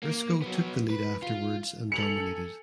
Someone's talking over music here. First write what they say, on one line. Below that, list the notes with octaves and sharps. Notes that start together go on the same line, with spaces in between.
Briscoe took the lead afterwards and dominated.
A#3
F#3 B3
B4
F4
A4 G#5 C#7 F7 F#7